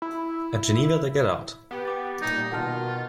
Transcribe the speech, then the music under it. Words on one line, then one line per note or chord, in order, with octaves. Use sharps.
At Geneva they get out.
E4
B3 G4
G5 D6 A6
A#2 G3 D#4
B2 D#3 F4 F#5 A5 F6